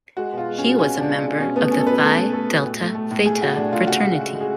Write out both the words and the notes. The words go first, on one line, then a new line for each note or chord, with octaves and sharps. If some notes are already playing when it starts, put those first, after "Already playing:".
He was a member of the Phi Delta Theta Fraternity.
G#3 F#4
B2 F4
G#3
C#4
B2
G#3 C#4
B2
D4
G#3
G#3
B2 C#4
A3 B3
B2 C#4
A4
B2 B4
A3 A4
A3
A3 A4
B2
A2
A3
A3
A2
A3 G#4
A3 F#4
A2 D4
A2 F4
C#3 F#4
C#3
G#3
G#3
G#4